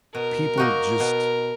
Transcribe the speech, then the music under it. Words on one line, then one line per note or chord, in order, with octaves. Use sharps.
people just
B2 A#4
A#3 D#4 F#4
B2